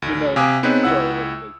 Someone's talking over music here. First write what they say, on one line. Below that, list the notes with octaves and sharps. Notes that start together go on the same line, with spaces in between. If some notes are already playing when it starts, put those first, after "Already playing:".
you know, sorry, I wasn't like,
A1 D2
C3 F5 G#5 D6 D#6
B3 C4 D#4 G#4 B4 C#5
C#2 E4 F#5 E6